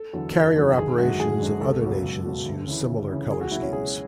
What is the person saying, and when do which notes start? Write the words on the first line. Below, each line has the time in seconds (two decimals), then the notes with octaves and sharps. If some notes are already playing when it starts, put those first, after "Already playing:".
Carrier operations of other nations use similar color schemes.
Already playing: A4
0.13 E2 D3 F#3
0.35 F#1
0.56 E2 D3 F#3
0.77 G#1 G#4
0.98 F#2 D3 G#3 F#4
1.19 G#1 G#4
1.40 F#2 D3 G#3
1.61 C#2 A4
1.82 B2 F#3
2.04 C#2
2.25 B2 F#3
2.46 D2
2.67 C#3 E3
2.89 D2
3.09 C#3 E3
3.31 C#2 G#4
3.41 F#4
3.51 B2 F#3 E4
3.62 C#4
3.73 C#2 G#4